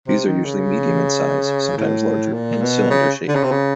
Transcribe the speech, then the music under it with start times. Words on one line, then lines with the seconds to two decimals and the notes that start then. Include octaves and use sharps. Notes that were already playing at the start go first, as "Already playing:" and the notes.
These are usually medium in size, sometimes larger, and cylinder shaped.
0.08 C3
0.26 D#3
0.45 C#3
1.77 A2
2.33 A#2
2.62 B2
2.90 C#3
3.28 D3
3.35 C#3
3.43 C3
3.51 C#3